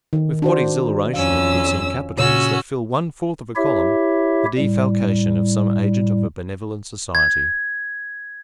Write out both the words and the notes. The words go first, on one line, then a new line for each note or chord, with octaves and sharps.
With what exhilaration it puts in capitals, that fill one-fourth of a column, the defalcation of some agent of a benevolent society!
D#3
D4 F#4 C5
F2 C#4 F5 E6
A#2 C#3 C#4 F#4 C#5 E6
E4 G4 C#5 E5
A2 G3
G#6